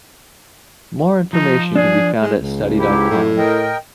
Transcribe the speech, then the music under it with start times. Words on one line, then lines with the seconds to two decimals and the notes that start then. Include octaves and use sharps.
More information can be found at Study dot com.
1.33 F3 D#4
1.76 D4 G#4
2.22 G#3
2.39 C#2
2.77 G#2 E4 G4
3.10 A2
3.38 A#4 D#5 G5